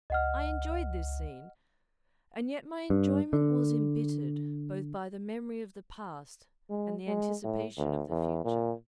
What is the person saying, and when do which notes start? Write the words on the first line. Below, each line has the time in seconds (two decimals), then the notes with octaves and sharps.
I enjoyed this scene, and yet my enjoyment was embittered both by the memory of the past and the anticipation of the future.
0.10 C#2 D#5 F#5 F6
2.90 G2
3.33 D3
6.70 G#3
7.07 G#3
7.44 A2
7.78 D2
8.09 E2
8.44 A#2